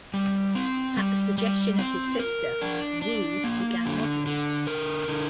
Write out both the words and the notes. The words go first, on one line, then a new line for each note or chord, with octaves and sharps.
At the suggestion of his sister, Wu began modeling.
G3
C4
G3
G3
C4
A#4
D4
D4
A#3
D3
D3
A#4
D3